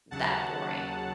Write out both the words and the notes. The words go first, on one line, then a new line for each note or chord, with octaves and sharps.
that boring.
D#2 C#3 F#3 F#5 A5